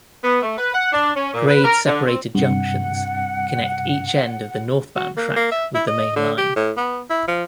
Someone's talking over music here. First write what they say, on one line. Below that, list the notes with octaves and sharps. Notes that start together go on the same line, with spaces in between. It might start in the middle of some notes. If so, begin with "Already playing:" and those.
Grade-separated junctions connect each end of the northbound track with the main line.
B3
A3
B4
F#5
D4
C#4
A#2
B4
A#4
D3
C4
G2 C3 F#5
F#4
A#3
A#3
E5
E4
D#5
D3
G4
A2
B3
E4
F3